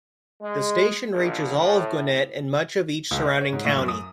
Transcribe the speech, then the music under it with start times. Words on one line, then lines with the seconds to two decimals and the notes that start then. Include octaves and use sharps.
The station reaches all of Gwinnett and much of each surrounding county.
0.41 G#3
1.11 A#1
1.58 A2
3.11 C#2
3.25 D#5
3.41 C#5
3.53 G#2
3.65 A2
3.77 F#2
3.88 D#6